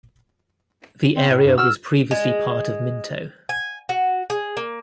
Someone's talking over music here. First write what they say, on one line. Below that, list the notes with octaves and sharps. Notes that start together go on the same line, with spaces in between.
The area was previously part of Minto.
C4
A2
G2
F#4 E6 F6
G#3
G#5
F#4
G#4
A#3